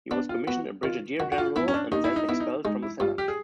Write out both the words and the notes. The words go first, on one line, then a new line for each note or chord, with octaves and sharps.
He was commissioned a brigadier general and then expelled from the Senate.
B3 D4
F4
B3 F#4
D#3 F4
D#3 F#4
F#4
F4
B3 E4
C#4
D4
D#2 D#4
E4
D#4
B3 E4
D#4
G#3 D#4
E4
G2 F4
G4
G#4